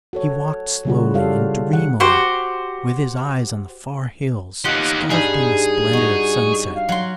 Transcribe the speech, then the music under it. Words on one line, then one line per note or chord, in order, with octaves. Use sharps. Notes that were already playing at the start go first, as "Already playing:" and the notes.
He walked slowly and dreamily, with his eyes on the far hills scarfed in the splendour of sunset.
F#4 A4 C#5
C#3 G3 F4 F#4
G3 E4 G4 A4 C#5 F5
D#3 F#5
F#4 G4 C5
D#4 F4 G4 D#5 F#5
G2 G3 D#4 G#4
D#4 F#4 A#5
F5
F#3 C6